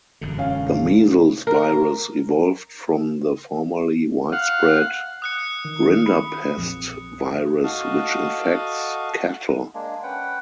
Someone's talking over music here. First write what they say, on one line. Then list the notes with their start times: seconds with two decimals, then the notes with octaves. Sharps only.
The measles virus evolved from the formerly widespread rinderpest virus, which infects cattle.
0.21 E1 F#2 D3
0.38 C#4 F5
1.47 A#4
4.33 F5 F#5
5.22 D#6 F#6 C#7
5.65 D#3
6.06 B5
6.57 A#1 F2
7.63 F#4 A4 D#5 F5 A5
9.74 G#3 A#3 D4
10.03 C#4 B4 F#5 G5